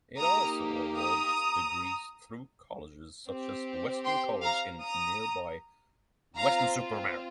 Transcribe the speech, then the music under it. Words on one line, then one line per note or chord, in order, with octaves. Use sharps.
It also awards degrees through colleges such as Weston College in nearby Weston-super-Mare.
A#3 D#4 G4 A#5 D#6
A#5 D#6
C4 G4
G5 C6
F5 A#5
A#5 D#6
C4 F4 F5 A#5